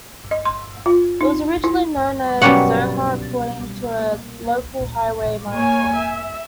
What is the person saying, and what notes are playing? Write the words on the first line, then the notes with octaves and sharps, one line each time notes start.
It was originally known as "Zohar" according to a local highway marker.
D#5
C6
F4
D#4
E4
B2 F#3 G3 A#3 C#4 F#5
A#3 C#5 G#5
E5